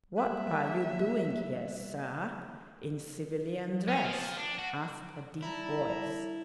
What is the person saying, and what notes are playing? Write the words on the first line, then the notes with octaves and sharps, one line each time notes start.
"What are you doing here, sir, in civilian dress?" asked a deep voice.
G3 A#3 E5 F#6
C#4
F3
D4
F#4
G3 E4 A5 A#5